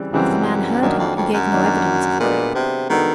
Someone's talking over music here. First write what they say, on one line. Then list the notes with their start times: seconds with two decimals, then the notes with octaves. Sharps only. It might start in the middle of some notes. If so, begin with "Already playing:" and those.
If the man heard her he gave no evidence of the fact.
Already playing: C#3 E3 G3 C4
0.12 F#2 C#3 E3 G3 C4
0.82 F#2 D#3 F#3 A#3 D4 F#4
0.99 F2
1.17 F2
1.33 F#2
1.51 D#3 F#3 A#3 D4 F#4
2.20 A#2 G#3 B3 D4 F#4 A4
2.55 C3
2.90 D#3 G#3 B3 D4 F#4 A4